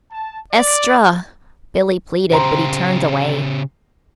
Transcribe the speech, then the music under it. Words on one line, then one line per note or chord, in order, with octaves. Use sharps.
"Estra!" Billie pleaded; but he turned away.
A5
D5
C#3 G4 C5 A#5 C6